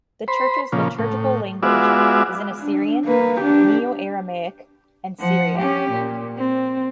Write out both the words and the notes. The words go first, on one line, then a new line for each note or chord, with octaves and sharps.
The church's liturgical language is in Assyrian Neo-Aramaic and Syriac.
C5 B5
A#2 C#3 F3
A2
G#3 B3 F4 F#4 D5 E5
D4
A#3 B4
D4 G4
F3 F#5
C#4 G4
A#2
C4